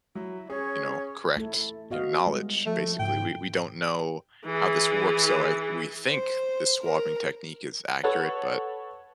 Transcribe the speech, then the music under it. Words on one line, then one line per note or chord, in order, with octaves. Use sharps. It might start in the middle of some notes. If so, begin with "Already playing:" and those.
you know, correct, you know, knowledge, basically we we don't know how this works, so I we think the swabbing technique is accurate, but
F#3 E4
C#4 G#4 C#5
A3 E4 A4
B3 F#4 D#5 F5
G3 G#3
F3 A3
G#2 C#3 F3 E4 G5
E3 G#4
C5
A#4
A4 B4 C#5 F#5